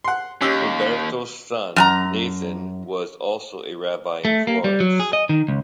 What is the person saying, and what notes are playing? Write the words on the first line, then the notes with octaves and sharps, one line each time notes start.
Umberto's son Nathan was also a rabbi in Florence.
F#5 C6
D#2 C#4 G4 E6
F#2 G#5 A#5
A3
A#3
G3
F#3
G#4
D#5
D#3
C#2